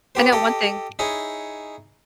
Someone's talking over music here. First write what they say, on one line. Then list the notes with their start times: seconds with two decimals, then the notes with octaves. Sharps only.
I know one thing
0.15 B3 G4 C5
0.32 G4 A4 D#5
0.99 D#4 E4 G#4 C#5